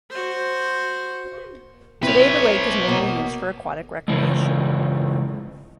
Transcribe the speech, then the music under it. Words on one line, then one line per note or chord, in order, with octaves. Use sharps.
Today the lake is mainly used for aquatic recreation.
F#4 C5
C4 E4 B4 C#5
B2 A#3
C#3 E3 G#3